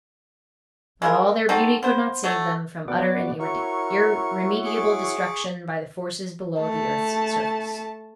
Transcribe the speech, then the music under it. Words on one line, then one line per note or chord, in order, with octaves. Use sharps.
But all their beauty could not save them from utter and irremediable destruction by the forces below the earth's surface.
G#3 E4 F4 A#4
C4 D#4 F#4 A4
B3 C5
F#3 A3
B3 F#4 D5
E4 F#4 A#4 C#5 C#6
G#4 C#6 D6
A3 A5